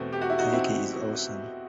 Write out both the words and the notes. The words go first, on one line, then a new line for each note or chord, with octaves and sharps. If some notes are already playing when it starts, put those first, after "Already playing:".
Ikey is awesome.
Already playing: E2 B2 A3 C4
G4
F#4
E4
D#4 F#4
C4 E4